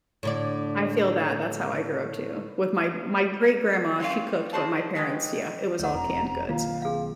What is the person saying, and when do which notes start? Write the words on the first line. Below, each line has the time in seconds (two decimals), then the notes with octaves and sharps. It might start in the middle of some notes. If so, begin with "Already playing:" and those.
I feel that, that's how I grew up too, with my my great grandma, she cooked, but my parents yeah, it was all canned goods.
0.23 A2 D3 D5
4.00 G3 C4 C#4 F5
4.53 F3 F#4 G#4 C5 D5 A5
4.95 D#3 G#3 G4 B4
5.79 D2 C#5 F#5
5.94 E1 F2 A#5
6.49 B1 D#3 A#3 F4 F5
6.82 C4 G#4 F5